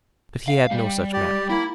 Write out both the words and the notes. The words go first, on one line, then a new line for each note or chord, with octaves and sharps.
But he had no such map.
F5
G3
G4 D5
A#3 E4 B5